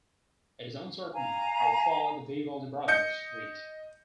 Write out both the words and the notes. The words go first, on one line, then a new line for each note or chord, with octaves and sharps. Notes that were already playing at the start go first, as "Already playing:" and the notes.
It is uncertain how far the Vivaldi brothers reached.
F5 G#5 A#5
D#5 G6 C#7